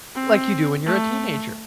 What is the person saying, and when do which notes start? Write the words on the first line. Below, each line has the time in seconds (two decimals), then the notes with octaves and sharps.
Like, you do when you're a teenager.
0.16 C4
0.86 A3